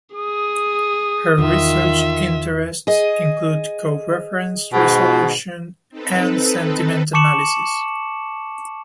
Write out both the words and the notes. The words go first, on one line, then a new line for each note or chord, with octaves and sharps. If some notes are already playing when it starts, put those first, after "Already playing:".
Her research interests include coreference resolution and sentiment analysis.
G#4 D#6
E2 D#3 F4 E5
G#4 D#5
G#2 B2
C4 D#4 A4 B4
A5 C#6 D6 C#7 E7 F#7